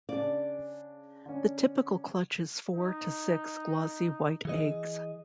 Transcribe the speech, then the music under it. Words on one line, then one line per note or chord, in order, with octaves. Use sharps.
The typical clutch is four to six glossy white eggs.
C#3 D4 D5
D3 C#4
D#4
E3 G#4 D#5